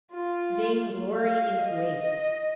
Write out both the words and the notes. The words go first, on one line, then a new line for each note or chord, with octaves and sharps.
Vain-glory is waste.
F4
F5
D#5